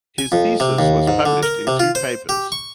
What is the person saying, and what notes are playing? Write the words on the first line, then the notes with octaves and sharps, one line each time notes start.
His thesis was published in two papers.
G#5
F2
C3
D#2
G#2
D3
A#4
C3
F4
C5
G4
C#6